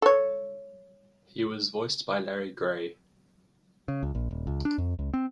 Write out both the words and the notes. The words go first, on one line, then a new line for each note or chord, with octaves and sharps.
He was voiced by Larry Grey.
A4 C#5
C#3
C#2
A#1
D#1
C#2
D4
F2
C#2
C4